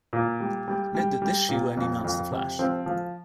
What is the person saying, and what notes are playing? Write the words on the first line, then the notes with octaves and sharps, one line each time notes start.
Note that this shoe only mounts the flash.
A#2
G3
G3
G3
G3
A#2
F2
F2
C3
F3 C4
F3